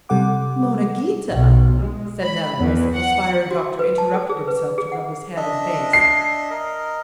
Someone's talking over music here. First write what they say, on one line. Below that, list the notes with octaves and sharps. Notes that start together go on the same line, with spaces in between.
"Monna Ghita!" said Nello, as the perspiring doctor interrupted himself to rub his head and face.
C3 G3 A4 F#5 D6
B1
G#3
B5
E2
F#5
F#4
B4
A5
A4
G#4
B4
G#4
F#5
D4 D#5 E5
C7
A#4 D#5